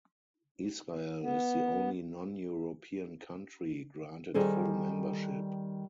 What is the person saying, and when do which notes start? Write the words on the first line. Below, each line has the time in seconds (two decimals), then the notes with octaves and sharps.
Israel is the only non-European country granted full membership.
1.22 B3
4.34 D#3 G3 G#4 A4 C5